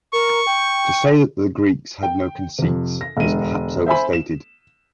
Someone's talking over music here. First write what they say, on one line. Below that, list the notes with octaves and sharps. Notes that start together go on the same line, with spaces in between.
To say that the Greeks had no conceits, is perhaps overstated.
A#4 C#6
G5
G5
F2 C3
A#6
E1 D3 D#7
C5 E5 G#5 B5
E7